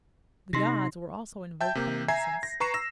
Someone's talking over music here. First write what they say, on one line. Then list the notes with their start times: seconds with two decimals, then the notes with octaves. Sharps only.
The gods were also invoked by incense.
0.53 C3 D#4 C6 A#6
1.61 E5 G5 A5 G6
1.75 C3 A#3
2.08 E5 G#5 A#5 G#6 C7
2.43 A#6
2.60 B4 A#5 C#6 C7 E7
2.74 E6 A#6 E7